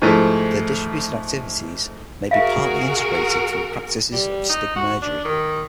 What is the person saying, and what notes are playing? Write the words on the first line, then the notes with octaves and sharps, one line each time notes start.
Their distributed activities may be partly integrated through practices of stigmergy.
G#2 F3 A3 E4
F#4 G#4 A#4 E5 F5
G3
D#4
F#4
D4
D#3